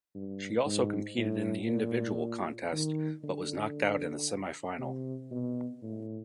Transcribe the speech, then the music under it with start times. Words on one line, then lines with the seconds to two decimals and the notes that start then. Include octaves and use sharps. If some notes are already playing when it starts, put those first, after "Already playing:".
She also competed in the individual contest, but was knocked out in the semifinal.
0.15 G2
0.66 G#2
1.18 A2
1.69 A#2
2.73 D#3
3.24 D3
4.79 C3
5.31 B2
5.82 A2